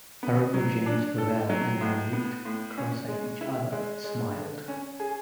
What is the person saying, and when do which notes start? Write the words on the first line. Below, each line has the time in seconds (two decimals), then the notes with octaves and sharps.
I remember James Bevel and I looked across at each other and smiled.
0.23 B3
0.54 F#3
0.86 D4
1.18 A4
1.50 F#3
1.81 A2
2.13 B3
2.45 A2
2.77 C#4
3.08 G#3
3.41 E4
3.72 G#3
4.04 G#3
4.36 D3
4.68 C#4
5.00 G#4